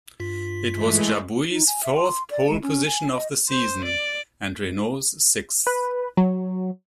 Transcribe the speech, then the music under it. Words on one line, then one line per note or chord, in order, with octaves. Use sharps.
It was Jabouille's fourth pole position of the season, and Renault's sixth.
G2 F4 B6
E3 G#3 A3
D#4
G#5
E5
C6
D5
G#3
C#4
G#5
D#5
C5
D5
B4
F#3